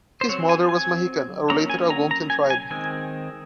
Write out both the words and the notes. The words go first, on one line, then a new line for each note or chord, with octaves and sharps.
His mother was Mahican, a related Algonquian tribe.
C5
F#3 C4 C#5
G#5
G#5
F#3 A#3 C#4 A#5
G#5
A#5
A#5
G#5
G#5
D#3 G#3 C4 G#5